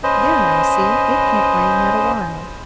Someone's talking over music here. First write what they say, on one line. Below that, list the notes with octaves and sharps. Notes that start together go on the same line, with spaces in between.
"There, now, see, it can't rain yet awhile."
C#4 B4 C5 D#5